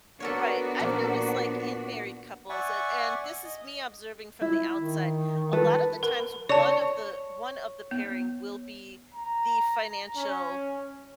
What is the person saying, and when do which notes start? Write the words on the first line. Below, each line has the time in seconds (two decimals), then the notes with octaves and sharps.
right. I've noticed, like, in married couples, and and this is me observing from the outside, a lot of the times, one of the one of the pairing will be the financial,
0.20 B3 D4 F#4 A4 A#4 C#5
0.79 A#2 F3 A#3
2.49 D5 E5 F#5 G#5 C#6
3.45 D#5
4.42 E4
4.75 D#3
5.53 A4 B4
6.03 A#4
6.49 C#5 D5 A5
7.91 B3
9.14 A#5
10.16 C#4